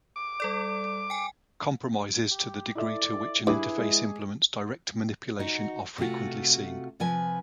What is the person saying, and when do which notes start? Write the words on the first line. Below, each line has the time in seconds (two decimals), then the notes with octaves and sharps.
Compromises to the degree to which an interface implements direct manipulation are frequently seen.
0.16 D6
0.40 G3 A4 D5
1.10 G5 G#5
2.31 G4
2.75 E4 A4 D5 E5
3.47 G2 E4 G#4 B4 D6
3.78 G#3
5.39 D#4 F#4
5.98 C3 A3 F4 F#4
7.00 C3 F3 B4 G#5